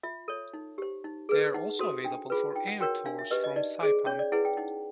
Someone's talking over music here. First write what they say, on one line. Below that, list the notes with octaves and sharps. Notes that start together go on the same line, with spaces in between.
They are also available for air tours from Saipan.
F4 E5
A4 C#5
D#4
G4 C5
D#4
G#4 B4
D#4 F#5
F#4 A4 C5
D4 G5
F4 G#4 B4
D#4 G5
F#5
F#4 A#4 C#5 G5
D4 F5
E5
G4 B4 D#5
D#5
D#4 D5
G#4 C5
C#4 C#5
D5
E4 G#4 B4 F#5
G5
D#4 F#5